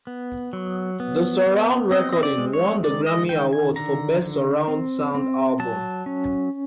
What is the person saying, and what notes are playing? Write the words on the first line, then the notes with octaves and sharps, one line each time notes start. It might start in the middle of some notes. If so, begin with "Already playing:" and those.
The surround recording won the Grammy Award for Best Surround Sound Album.
B3
F#3
B3
B3
C4 D#5
D#5
D5
G#3
C#5
D#3 D5
D#5
D#3 G5
G#5
D3 A#5
D3
C4
C4
F#3 A5
C#4